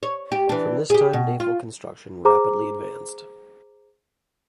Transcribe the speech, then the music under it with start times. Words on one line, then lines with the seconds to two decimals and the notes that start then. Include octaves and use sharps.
From this time naval construction rapidly advanced.
0.03 C#5
0.32 G4
0.49 E3 D4
0.90 G4 G#4
1.13 B2
1.40 F4
2.25 G#4 C5 A#5 D6